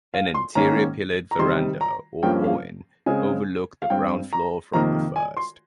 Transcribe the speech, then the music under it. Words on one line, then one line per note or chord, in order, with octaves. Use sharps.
An interior pillared verandah or "aiwan" overlooked the ground floor from the first.
F5
C6
G#2 D#3 A#3 C#4 A#5
A#5
C3 D#3 G3 C6
A#5
G2 F3 A#3 C#4 G5
F5
C#3 G#3 C4 G#5
F5
G2 G3 C4 G5
A#5
F2 C3 D#3 A#3 A#5
G#5
C6